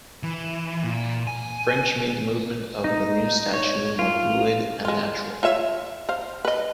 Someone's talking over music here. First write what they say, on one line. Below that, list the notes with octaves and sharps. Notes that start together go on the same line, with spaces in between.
French made the movement of the new statue more fluid and natural.
E3
A#2
G#5
D#4
C#5
F4
G#3 F4
F4 C#5 E5
C5 F5
B4 D#5